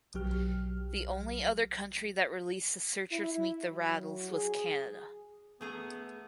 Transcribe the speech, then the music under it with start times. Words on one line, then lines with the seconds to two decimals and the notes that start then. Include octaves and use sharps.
The only other country that released "The Searchers Meet The Rattles" was Canada.
0.14 B1 F#3 G4 F6
3.11 E4
3.69 F#3
4.31 G#4
5.61 A3 B3 G#4 A#5